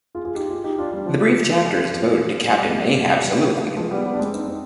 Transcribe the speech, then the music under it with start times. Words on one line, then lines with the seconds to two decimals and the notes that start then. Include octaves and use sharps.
The brief chapter is devoted to Captain Ahab's soliloquy.
0.15 F4 G#4
0.25 F4 G#4
0.35 D#4 G4
0.50 F4 G#4
0.64 D#4 G4
0.78 D4 F4
0.93 G3
1.06 F3
1.64 F3
2.49 G3
2.63 F3 G#3
2.77 G3
2.91 G3 B3
3.06 G3
3.20 G3
3.77 F3 G#3
3.91 G3 B3
4.05 G3 B3
4.14 D4
4.19 G#3 C4
4.34 C4 D#4
4.48 C4 D#4